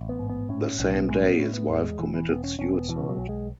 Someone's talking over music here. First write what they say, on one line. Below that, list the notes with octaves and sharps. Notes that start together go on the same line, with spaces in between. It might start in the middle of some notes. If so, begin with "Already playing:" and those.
The same day his wife committed suicide.
Already playing: A1
B3
G#2
B3
A2 C#4
C#4
B1 C#4
B3
A2 G#3
B3
A2 C#4
B3
E2 A3
G#3
E1 E3
E3
E1 B3
C#4
E1 C#4
B3
B2 E3
F#3
B1
G#3